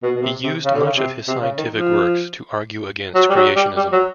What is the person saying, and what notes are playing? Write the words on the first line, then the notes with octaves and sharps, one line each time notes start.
He used much of his scientific works to argue against creationism.
B2
B2
C3
C3
C#3
D3
C#3
C3
C3
C#3
D#3
F3
F#3
G3
F#3
G3
G3
F#3